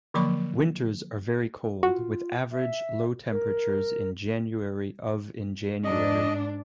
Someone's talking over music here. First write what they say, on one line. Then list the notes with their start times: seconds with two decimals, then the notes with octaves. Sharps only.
Winters are very cold, with average low temperatures in January of in January.
0.14 D3 F3 F#3 A#3 B5 C#6
1.83 F4 F#4
2.52 E5
3.31 A#4
5.84 G#2 D4 D#5